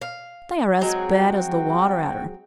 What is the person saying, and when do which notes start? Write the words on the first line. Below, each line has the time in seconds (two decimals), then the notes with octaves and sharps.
They are as bad as the Water-Adder.
0.02 F5
0.81 F#3 G#3 C4 F#4 G#4 G5